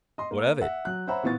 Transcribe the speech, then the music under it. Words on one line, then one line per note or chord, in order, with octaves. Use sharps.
"What of it?"
D#5 C6
A#3
E5 F#5
F#3 F#6
C5 C#5 E5 F#5 A#5 B5
A#2 E3 B3 C#6 A6